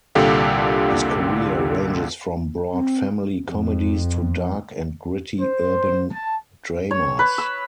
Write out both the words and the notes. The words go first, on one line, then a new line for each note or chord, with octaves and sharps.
His career ranges from broad family comedies to dark and gritty urban dramas.
C2 A#2 D3 G4 A4 F5
C4
F2
C5
A5
C#5
B4
E6